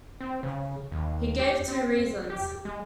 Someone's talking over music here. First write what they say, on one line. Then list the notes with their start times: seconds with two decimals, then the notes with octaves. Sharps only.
He gave two reasons.
0.21 C4
0.43 C#3
0.92 D#2
1.39 G4
1.68 C4
2.30 G4
2.65 G#3